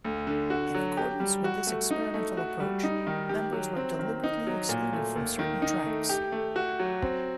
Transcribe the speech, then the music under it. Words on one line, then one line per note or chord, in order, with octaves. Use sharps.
In accordance with this experimental approach, members were deliberately excluded from certain tracks.
D2
D3
F#4
F#3
G4
G3
F#4
A3
D#4
A3
F#4
G3
D#4
D#3
G4
F#3
C4
D#3
D#4
F#3
A#2
A3
D#2
D#3
D#4
A3
G4
A3
F#4
F#3
C4